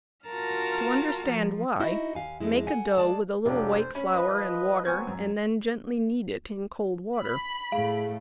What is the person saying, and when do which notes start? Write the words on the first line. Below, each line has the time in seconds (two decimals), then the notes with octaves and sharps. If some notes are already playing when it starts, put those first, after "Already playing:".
To understand why, make a dough with a little white flour and water and then gently knead it in cold water.
0.28 F4 F#4 A#4 A5 A#5 F6
1.28 F3
1.80 D#4 E4 F#4 D#5
2.15 D#2 D#3 F5 G#5
2.40 F2 G#3 E4
2.67 A4 F#5 G#5
2.98 G#3 D5 A5
3.46 F1 F3 F#3 D4 G4
3.78 C5
3.95 C#4 B5
4.14 F3 B4 D#5 B5
4.85 F#3 B3 C4 G#5 C#6 G#6
5.07 F#2
7.20 B5
7.72 A2 A3 G#4 F5